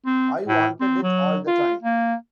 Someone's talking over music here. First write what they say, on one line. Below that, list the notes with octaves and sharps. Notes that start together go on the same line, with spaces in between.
I wanted it all the time.
C4
A2
C4
F#3
F4
A#3